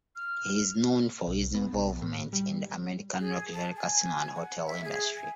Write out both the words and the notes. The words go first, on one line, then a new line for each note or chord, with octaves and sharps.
He is known for his involvement in the American luxury casino and hotel industry.
F6
B1
B3
B1
A2
G3
G#4
A5
G#5
F#5
E5
G#4
G#5